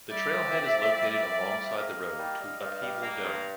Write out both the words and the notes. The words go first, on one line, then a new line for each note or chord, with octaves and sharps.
The trailhead is located alongside the road to Upheaval Dome.
G3 D5 E5
F2
C3
F2
G3
F2
G3
F2
A#3 D#5 F5
A#3
G3
G3
G2
G3
A#3
G2